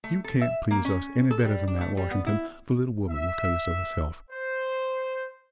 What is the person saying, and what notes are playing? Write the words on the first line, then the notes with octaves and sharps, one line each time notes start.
You can't please us any better than that, Washington; the little woman will tell you so herself.
A3
A4
E5
A#3
C#4
A4
G3
D4
A3
G3
B3
E4
E5
C5